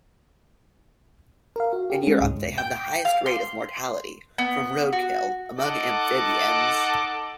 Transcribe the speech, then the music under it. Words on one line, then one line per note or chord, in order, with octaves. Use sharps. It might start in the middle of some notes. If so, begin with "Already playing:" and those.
In Europe they have the highest rate of mortality from roadkill among amphibians.
A#4 F5
F#4
G4 G#4
G#3 C#4
C#2 G#2
G5
F5
C6
B3
F#4
D#4 A4 D#5 F#5 A5 D6